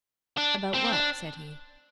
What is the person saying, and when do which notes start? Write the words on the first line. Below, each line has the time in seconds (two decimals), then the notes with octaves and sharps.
"About what?" said he.
0.37 D4
0.74 C4
0.92 D4